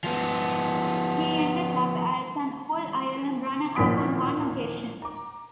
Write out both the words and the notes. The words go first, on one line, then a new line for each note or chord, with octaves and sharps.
He ended up as an All-Ireland runner-up on one occasion.
F3 B3
A1 D#2 A#2 F3 B6 D7
A#5 D6